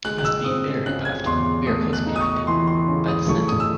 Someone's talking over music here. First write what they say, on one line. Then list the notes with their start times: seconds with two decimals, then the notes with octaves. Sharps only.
He must be very puffed; we are close behind him, by the scent.
0.05 G#3 F#6
0.18 F#6
0.25 E6
0.44 C4 D#6
0.86 C#3 F#6
1.05 G#6
1.25 E2 C6
1.67 A3 D#6
1.93 F#6
2.07 D#4
2.16 D#6
2.21 C#6
2.47 E3 C6
2.67 C6
2.88 C#3
3.08 D#6
3.28 A3 C#6
3.48 D#6
3.60 E6